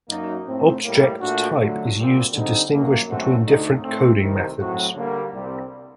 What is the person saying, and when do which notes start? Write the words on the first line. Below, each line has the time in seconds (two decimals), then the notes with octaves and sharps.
Object Type is used to distinguish between different coding methods.
0.09 F#2 F#3 A#3 D#4
0.46 A2 A3 C4
0.83 A2 G3 A#3
1.20 A#2 A3 D4 F#4
1.58 D3 F#3 A3
1.96 A#2 G3 C4
2.33 D3 G3 C4 D#4
2.70 F#2 F#3 A#3
3.07 F#2 D3 A3 C4 F#4
3.45 D2 D3 A3 D#4
3.83 A2 A3 C4
4.21 C2 C3 D#3
4.57 A2 F#3 C4 F#4
4.95 D3 G3 A#3 D4
5.32 C2 C3 G3 C4